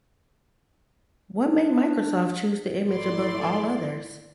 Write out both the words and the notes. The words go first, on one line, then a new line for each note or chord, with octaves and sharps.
What made Microsoft choose the image above all others?
D4
G#1 A3 E4 D5 C6